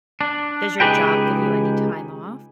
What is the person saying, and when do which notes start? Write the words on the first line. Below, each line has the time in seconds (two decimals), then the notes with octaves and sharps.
does your job give you any time off?
0.21 D4
0.80 C#2 D#4 G4 G#4 B4 G5